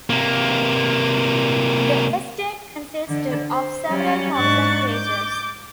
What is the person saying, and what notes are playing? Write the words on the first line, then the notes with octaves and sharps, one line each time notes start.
The estate consisted of several thousand pages.
C3 A#3
D3
C5
F#3 G3 C#4
G#2 D4 C#6 F#6 A6
D6 G6 A6